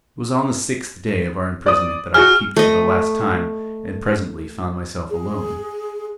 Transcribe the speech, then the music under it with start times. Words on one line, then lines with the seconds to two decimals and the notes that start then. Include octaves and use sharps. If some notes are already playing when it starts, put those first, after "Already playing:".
It was on the sixth day of our imprisonment that I peeped for the last time, and presently found myself alone.
1.66 D5 D#6
2.14 F#4 G#4 F6
2.56 A3 D#5
5.10 G#4